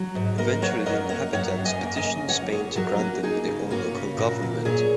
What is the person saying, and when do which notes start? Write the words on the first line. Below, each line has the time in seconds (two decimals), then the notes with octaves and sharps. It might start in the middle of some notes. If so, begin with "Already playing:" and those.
Eventually the inhabitants petitioned Spain to grant them their own local government.
Already playing: F#3
0.15 G#2
0.38 A#3 A#4 D#5
0.62 F#3 C#5 F#5
0.86 F#2 A#4 D#5
1.09 A#3 C#5 F#5
1.33 F#2 C#5 F#5
1.57 F#2
1.65 D#5 G#5
1.81 A#3
1.96 D#5 G#5
2.04 C#3
2.28 A#3 C#5 F#5
2.52 F#2 G#4 C#5
2.75 F#3 F#4 A#4
2.99 A#3 C#4 F#4
3.23 A#3 D#4 G#4
3.47 C#3
3.70 A#3 C#4 F#4
3.94 C#3
4.18 A#2 F#4 A#4
4.42 A#3
4.65 A#2 G#4 C#5